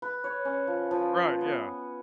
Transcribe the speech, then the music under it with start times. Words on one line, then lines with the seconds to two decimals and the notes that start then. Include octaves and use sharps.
Right, yeah.
0.02 B4
0.24 C#5
0.45 C#4
0.67 F3
0.91 F3
1.41 B3